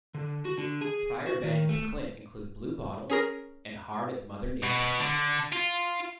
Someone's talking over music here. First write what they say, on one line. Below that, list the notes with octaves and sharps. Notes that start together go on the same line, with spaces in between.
Prior bands to Clint include "Blue Bottle" and "Hard As Mother Nature".
D3
F#4
D3
G#4
F#4
D#3
A3
C#4 G#4 A#4
B2
D3
F4